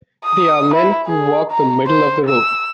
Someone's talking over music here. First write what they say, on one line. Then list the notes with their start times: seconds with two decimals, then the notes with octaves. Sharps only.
They are men who walk the middle of the road.
0.24 D#6
0.74 E4
1.07 G#4
1.51 A#5
1.86 C5
2.29 E6